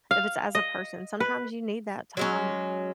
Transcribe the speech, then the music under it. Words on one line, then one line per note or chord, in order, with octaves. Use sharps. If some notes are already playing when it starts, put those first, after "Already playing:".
If it's as a person, sometimes you need that time
F5
D#5
B4
F#3 G#3 C#4